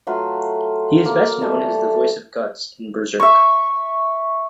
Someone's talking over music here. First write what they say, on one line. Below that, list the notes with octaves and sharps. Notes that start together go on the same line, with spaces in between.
He is best known as the voice of Guts in "Berserk".
F#3 A3 F4 B4
A#3
E3 G3 A3 A4
E5 C#6